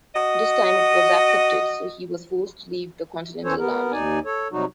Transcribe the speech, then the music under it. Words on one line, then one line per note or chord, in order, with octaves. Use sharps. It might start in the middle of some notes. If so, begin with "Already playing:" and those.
This time it was accepted, so he was forced to leave the continental army.
F#4 D#5
E2 E3 C#4 A4 C5 C#5
B3 A#4
D#2 D#4 D5 G#5
A4 C#5
C3 F#3 G3 D#4 F#4